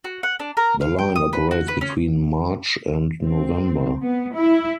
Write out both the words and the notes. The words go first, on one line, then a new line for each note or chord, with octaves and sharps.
The line operates between March and November.
F#4
F#5
D4
A#4
F5
G5
D#6
B4
F#4
B4
C#4
C4
B3
E4